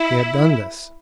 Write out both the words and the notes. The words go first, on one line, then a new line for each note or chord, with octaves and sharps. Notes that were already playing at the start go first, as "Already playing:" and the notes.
He had done this.
Already playing: E4